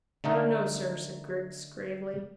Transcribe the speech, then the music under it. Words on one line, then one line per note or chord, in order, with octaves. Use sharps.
"I don't know, sir," said Griggs gravely.
D3 A3 D#4 A#4